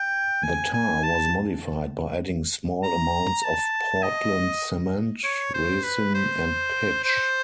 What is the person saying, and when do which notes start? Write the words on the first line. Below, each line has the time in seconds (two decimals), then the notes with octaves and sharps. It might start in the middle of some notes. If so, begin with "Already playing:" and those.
The tar was modified by adding small amounts of Portland cement, resin, and pitch.
Already playing: G5
0.44 G#5
0.73 G#5
1.03 A5
2.83 A#5
3.44 A5
4.03 D#5
5.24 C#5
5.54 C5
5.84 B4
6.14 C5
7.04 C5